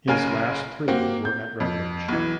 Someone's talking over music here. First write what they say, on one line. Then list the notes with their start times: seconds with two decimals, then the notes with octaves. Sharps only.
His last three were at Routledge.
0.08 F#1 C#4 A#4 F5 G#5
0.88 A#3 C4 F#4 G4
1.25 G6
1.60 F2
2.09 B1 E3